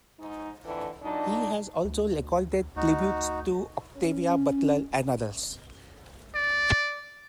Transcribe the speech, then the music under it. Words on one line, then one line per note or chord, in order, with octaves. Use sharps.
He has also recorded tributes to Octavia Butler and others.
G#2 D#4
F2 A2 D3 E3
A#2 F#3 D4 D#4
D2
D2 D#4 F#4
C#4
D5